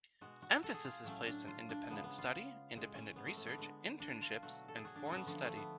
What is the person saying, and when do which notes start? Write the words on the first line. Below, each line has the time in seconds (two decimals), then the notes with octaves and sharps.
Emphasis is placed on independent study, independent research, internships and foreign study.
0.21 B2 G#3 F#4
0.42 F#4
0.64 A4
0.74 G#4
0.85 F4
1.03 A2 F#3 A3 C#4
1.27 D4
1.48 F4
1.69 D4
1.90 C#3 G#3 B3
2.04 B3
2.18 F4
2.74 A2 G#3
2.95 C#4
3.16 B3
3.27 A3
3.37 A3
3.47 B3
3.58 D3 G#3
4.00 D4
4.22 F4
4.42 B2 F#3 A3 F#4
4.68 A4
4.77 G#4
4.85 F#4
4.96 D4
5.05 A3
5.12 B3 C#4
5.26 D3 F3 A3
5.45 A3
5.57 B3